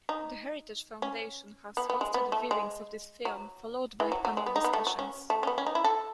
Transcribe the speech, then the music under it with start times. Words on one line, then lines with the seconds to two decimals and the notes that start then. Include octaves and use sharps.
The Heritage Foundation has hosted viewings of this film, followed by panel discussions.
0.09 D#4
1.02 C#4
1.77 B3
1.90 B3
2.01 G#3
2.14 B3
2.32 A3
2.51 G#3
3.25 F#3
4.00 E3
4.12 F#3
4.25 F#3
4.37 G#3
4.46 B3
4.56 D#4
4.64 B3
4.73 A3
4.87 F#3
4.99 C#4
5.30 A3
5.43 C#4
5.47 B3
5.58 C#4
5.67 D#4
5.75 E4
5.84 A4